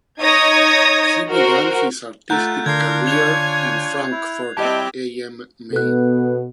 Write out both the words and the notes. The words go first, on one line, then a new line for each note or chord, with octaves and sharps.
He began his artistic career in Frankfurt am Main.
D#4 C#5 D#6 G#6 A#6
F#4 A#4 C5
A3 F4 F#5 A#5 F#6 G6
D3 D4 F4 A#4 G#6 C7
C#5 G#5 G#6 F7
E4
G3 C4 E4 G4 D#5 A5
B2 B3 A4 F#6